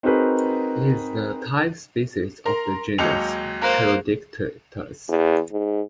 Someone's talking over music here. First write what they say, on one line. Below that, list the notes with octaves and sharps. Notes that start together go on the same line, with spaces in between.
It is the type species of the genus "Perodictitus".
C4 D#4 F#4 G#4 A#4 B4
A#4 A#5 C6
D#2 F#3 G#3 G6 C#7 F7
A#3 C5 A#5 F#6
E2
G#2